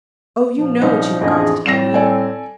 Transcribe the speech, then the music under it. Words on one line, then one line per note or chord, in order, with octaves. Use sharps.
Oh, you know what you have got to tell me!
A#2 F3
C2 C#4 D#4
A1 F2 D4 G#4 D#5
A2 G3 C4 A#6 C7 E7
A4 D5 G#5